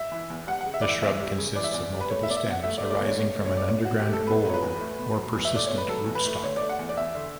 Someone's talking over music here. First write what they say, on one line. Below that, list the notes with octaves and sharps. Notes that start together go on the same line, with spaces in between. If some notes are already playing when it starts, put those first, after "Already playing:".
The shrub consists of multiple stems arising from an underground bole or persistent rootstock.
Already playing: E5
E3
E2
G3 F#5
F#5
C#3
E5
E3 D5
E5
E2 E5
G3
C#3
E3 D5
E5
E2 D5
G3
B4
A3 C#5
E5
B2 D5
E5
B2 F#5
A3 E5
D5
A3
D5
B2 C#5
B2 C#5
A3
C#5
A3 D5
B2 C#5
B2 F#4
G4
A3 A4
B2 B4
F#3 C#5
B4
E2
A3
B2
F#3
E2
E5
A3 D5
B2 C#5
B4
F#3 A4
E2
B4
A3
D3 C#5
A3 D5
F#5
E2
D5
E2 E5
D3